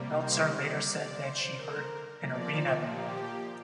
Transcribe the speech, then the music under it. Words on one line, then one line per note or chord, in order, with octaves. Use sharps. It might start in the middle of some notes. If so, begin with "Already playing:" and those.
Meltzer later said that she heard "an arena band".
Already playing: C3 G3 A#3
C5
D5
D5
C5
A#4
A#2 F3 A#3 D5
G4